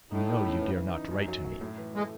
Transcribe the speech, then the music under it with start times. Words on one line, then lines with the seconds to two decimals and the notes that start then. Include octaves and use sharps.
You know you dare not write to me.
0.10 A2 D#4
0.27 D#4
0.43 C#3
0.61 E3
0.77 E3
0.94 D#4
1.11 F#2
1.28 F#3
1.44 F#3
1.61 A2
1.78 E3
1.95 G#3 A3